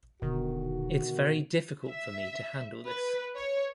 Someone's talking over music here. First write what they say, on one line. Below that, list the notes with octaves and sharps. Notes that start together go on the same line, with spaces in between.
It's very difficult for me to handle this.
D#1 B2 D3 D#3 F#4
E5
B4
C#5